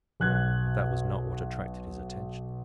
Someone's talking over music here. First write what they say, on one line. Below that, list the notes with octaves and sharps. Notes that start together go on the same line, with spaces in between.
But that was not what attracted his attention.
B1 F#6 G#6